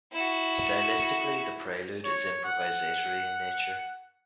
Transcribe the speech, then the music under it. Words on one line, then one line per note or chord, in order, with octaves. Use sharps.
Stylistically, the prelude is improvisatory in nature.
E4 F#4
C#5
F#5